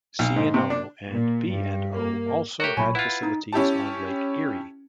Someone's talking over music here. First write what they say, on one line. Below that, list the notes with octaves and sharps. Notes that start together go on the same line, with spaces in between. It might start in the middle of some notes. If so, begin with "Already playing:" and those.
C and O and B and O also had facilities on Lake Erie.
B1
G#2
C3
D4
A#2
G2
A#3
A3 F#4 G4 A#4 C#5
B1 A#2 C#5 G#5 B5
E4 F4 B4 F#5
D#4
C#4 E4 G4 A5